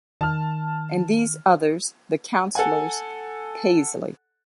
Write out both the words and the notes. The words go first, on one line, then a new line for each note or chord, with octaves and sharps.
And these others — the Councillors, Paisley.
D#3 A5 F6
A4 F#5 G#5